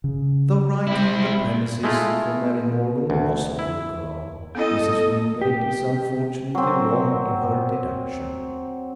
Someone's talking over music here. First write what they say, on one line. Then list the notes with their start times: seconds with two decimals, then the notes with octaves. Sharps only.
Though right in the premises--for Mary Morgan was a good girl--Mrs Wingate is unfortunately wrong in her deductions.
0.04 C#3
0.87 C4 E4
1.83 G#3 A3 E4 F4
3.10 D2
3.59 E4
4.55 B3 C#4 E4 A4 D#5
5.41 G4
6.55 F#3 C4